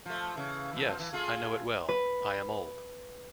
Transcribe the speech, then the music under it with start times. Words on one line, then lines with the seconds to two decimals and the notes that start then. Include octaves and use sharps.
Yes, I know it well — I am old.
0.06 F3 A3
0.35 C#3 E3
0.73 B2 E3
0.86 B2 F3
1.00 E3
1.13 A3 F4 G#4
1.89 B4